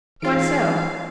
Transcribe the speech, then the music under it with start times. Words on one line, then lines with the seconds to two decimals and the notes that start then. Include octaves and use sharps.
"Why so?"
0.22 G#2 E3 F4 F5 D7